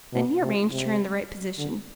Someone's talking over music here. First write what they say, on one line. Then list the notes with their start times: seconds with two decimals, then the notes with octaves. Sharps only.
Then he arranged her in the right position.
0.13 B2
0.42 C3
0.71 C3
1.58 D3